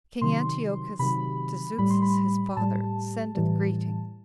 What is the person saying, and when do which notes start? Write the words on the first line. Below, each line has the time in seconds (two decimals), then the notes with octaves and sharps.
King Antiochus To Zeuxis His Father, Sendeth Greeting.
0.21 C3 D#3 F#3 C6
0.99 C3 D#3 F#3 B5
1.78 A2 G3 B5
1.90 C6
2.02 B5
2.56 A2 G3 A5
3.35 A2 E3 G3